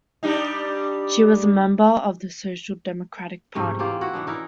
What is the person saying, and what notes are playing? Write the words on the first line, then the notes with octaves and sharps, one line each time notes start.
She was a member of the Social Democratic Party.
G3 D4 D#4
G#2 C3 A3
E3 A#3 F4 G4
E4 F#4 F#5
E3 B3 D4
C#4 D#4 E4 A#4